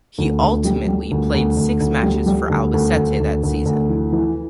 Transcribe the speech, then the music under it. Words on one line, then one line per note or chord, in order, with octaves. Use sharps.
He ultimately played six matches for Albacete that season.
D2
D2
G3
G3
D2
D2
D2
D2
G3
G3
D2
D2
D2
D2
D2
D2
E3
E3